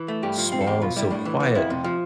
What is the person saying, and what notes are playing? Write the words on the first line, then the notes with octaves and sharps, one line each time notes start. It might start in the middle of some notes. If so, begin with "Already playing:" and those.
small and so quiet,
Already playing: E3
A3
G2 G4
F3
C4
A4
E2 G4
B2 F4
G3 E4
A2 D4
E3
B3
F2 E4
C3
F3